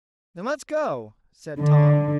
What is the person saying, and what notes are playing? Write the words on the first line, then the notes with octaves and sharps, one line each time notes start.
"Then let's go," said Tom.
D3